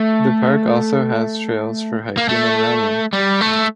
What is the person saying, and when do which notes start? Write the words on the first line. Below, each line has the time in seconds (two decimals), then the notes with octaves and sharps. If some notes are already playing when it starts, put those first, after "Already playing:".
The park also has trails for hiking and running.
Already playing: A3
2.17 A#3
2.29 A3
3.13 G3
3.41 A3